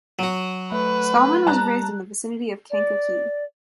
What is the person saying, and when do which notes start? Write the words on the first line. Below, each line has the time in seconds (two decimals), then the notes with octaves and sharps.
Stallman was raised in the vicinity of Kankakee.
0.19 F#3 F#4
0.72 A3 B4
1.47 G3 A5 A#5 F#6
2.71 D5